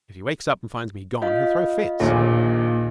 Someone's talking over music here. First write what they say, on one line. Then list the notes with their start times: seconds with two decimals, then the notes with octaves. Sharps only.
If he wakes up and finds me gone he'll throw fits.
1.22 F4 D#5 F5
2.00 A#1 D#2 A#2